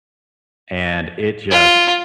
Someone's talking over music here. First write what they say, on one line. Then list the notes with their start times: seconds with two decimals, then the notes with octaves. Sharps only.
and it just
1.51 F4